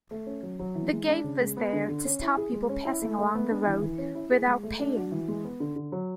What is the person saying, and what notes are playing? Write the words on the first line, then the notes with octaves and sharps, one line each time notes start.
The gate was there to stop people passing along the road without paying.
A3
C#4
F#3
F#3
E3
G#3
D4
C#3
G#3
B3
D3
D3
C#4
E4
G#4
G#3
C#4
E4
A3
A3
B3
D4
E3
E3
C#4
E4
G#4
G#3
A3
D4
F#4
E3
G#3
B3
D3
D3
F#3